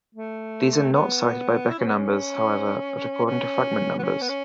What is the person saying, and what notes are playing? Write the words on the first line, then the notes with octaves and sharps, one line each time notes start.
These are not cited by Bekker numbers, however, but according to fragment numbers.
A3
B3
E4
C#4
B3
C#4
C#4
B3
C#4
B3
C#4